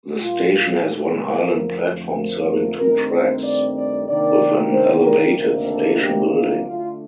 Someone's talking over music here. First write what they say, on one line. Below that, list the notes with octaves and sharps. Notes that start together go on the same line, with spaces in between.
The station has one island platform serving two tracks, with an elevated station building.
A#2 G3 A#3 F4
F4
A4
A#4
F2 D3 F3 A3
A#4
A#4
G2 D#3 A3 C4 A#4
C5
D5
D5
C3 D#3 A#3 D4 D5
C5
A#4
D2 C3 D#3 A#3 D4 A#4
A4
G4
F4
D3 A3 D4 F4